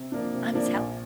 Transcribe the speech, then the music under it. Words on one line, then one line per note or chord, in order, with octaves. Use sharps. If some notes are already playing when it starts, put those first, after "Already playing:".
I'm so
Already playing: C3
F3 A#3 D4
C3
F3 A#3 D4
A#1